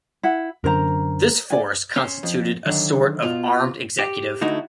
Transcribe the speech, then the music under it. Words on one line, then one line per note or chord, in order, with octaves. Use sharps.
This force constituted a sort of armed executive.
E4 F#5
F#2 D3 A#4 C5 A#5
D5 G#5
C#4 C5
F2
D3 D#3 F#3
B2 F4
G4
D3 A3 D#4 E4 F#4